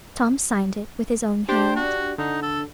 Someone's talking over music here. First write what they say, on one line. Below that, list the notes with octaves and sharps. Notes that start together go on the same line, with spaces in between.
Tom signed it with his own hand.
D4 G4 C5
F#4
D3 D#4
A4